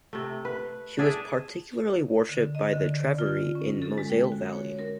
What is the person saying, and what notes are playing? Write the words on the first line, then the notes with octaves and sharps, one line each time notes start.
She was particularly worshipped by the Treveri in the Moselle Valley.
C3 A3
B4
D4 G#4 D5 E5
D3
D#5
D3
D5
F4
C#4
A4
G#3
G5
F#4
C#5
A#4